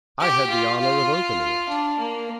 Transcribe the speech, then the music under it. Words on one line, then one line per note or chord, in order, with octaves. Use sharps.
I had the honour of opening it.
G4
F4
F4
D4
A#3